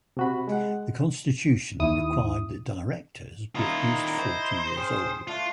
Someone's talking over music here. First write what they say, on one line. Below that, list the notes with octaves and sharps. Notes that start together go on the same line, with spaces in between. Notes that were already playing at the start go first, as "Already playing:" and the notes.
The Constitution required that Directors be at least forty years old.
C3 F#4 B5
G#3 F#5
D#2 E4 D#6
D#3 E4 F4 D#5 A#5
C5
C#4 G#4 G5
A3 D4 F4